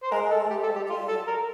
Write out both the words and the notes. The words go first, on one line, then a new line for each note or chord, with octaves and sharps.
Oh, okay.
C5
A#4
A4
G4
A4
G4
F4
A4
A#4